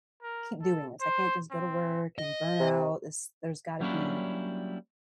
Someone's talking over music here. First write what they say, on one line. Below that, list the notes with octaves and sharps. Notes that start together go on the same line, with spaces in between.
keep doing this. I can't just go to work, and burn out, this there's gotta be
A#4
A4
C5
C4
D#5
C3
F#3 G3 A#3 C#4 D4 E4